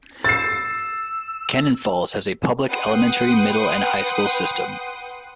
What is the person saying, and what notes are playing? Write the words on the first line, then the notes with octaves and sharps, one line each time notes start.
Cannon Falls has a public elementary, middle, and high school system.
E6 A6 C7
B4 F#5 G5 C6 D#6